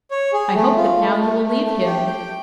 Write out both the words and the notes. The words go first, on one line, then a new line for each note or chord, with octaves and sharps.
I hope that now you will leave him.
C#5
G#4
A3
F4
A3
A3
A3
A3
G4
G5